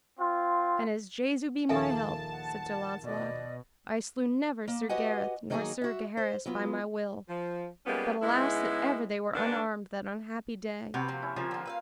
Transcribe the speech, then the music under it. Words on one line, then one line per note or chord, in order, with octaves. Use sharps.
And as Jesu be my help, said Sir Launcelot, I slew never Sir Gareth nor Sir Gaheris by my will; but alas that ever they were unarmed that unhappy day.
C4 F4
A#1 D#2 A#3 A4 E5 G#5 A5
F#5
B2 D5 D#5
A#3
F#4 G4 B4 D#5 F#5 G#5
D#3 F#3 A#3 C#4 D#4 G#4
F#4 E5
C5
F#3 B3 F4
F3
F3 G3 G#3 A#3 B3 C#4
C#3 G#3 B3 D#4 E4
D#3 G#3 A#3 B3 D4
C3 B3 C4 F#4 B4
F3 A#3 G4
C#4 E4
C#3 F3 A#3 C4 F4
D3 D#4
B4 E5 F5